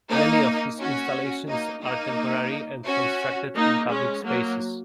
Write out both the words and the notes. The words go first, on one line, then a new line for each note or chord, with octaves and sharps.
Many of his installations are temporary and constructed in public spaces.
A#3 D#4
C#4 F#4
A#3 D#4
A#3 D#4
C#4 F#4
A#3 D#4
G#3 C#4
F#3 A#3